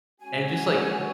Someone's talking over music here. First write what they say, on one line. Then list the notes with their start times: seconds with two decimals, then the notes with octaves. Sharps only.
and just, like,
0.20 G#3 C#4 F#4 G#5